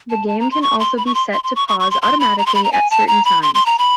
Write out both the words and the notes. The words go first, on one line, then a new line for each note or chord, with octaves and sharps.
The game can also be set to pause automatically at certain times.
A5
A5
A#5
C6
C#6
C6
B5
C#6
C6
C6
C6
C#6
C#6
C#6
C6
C6
B5
A#5
C6
B5
A#5
G#5
A5
A#5
B5
C6
C6
A#5
B5